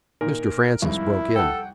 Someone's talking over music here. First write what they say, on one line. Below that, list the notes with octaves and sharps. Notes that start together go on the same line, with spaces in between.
Mr. Francis broke in.
A#2 D#3 A#4
C2 F2 G#2 E4
A4 F#5 G5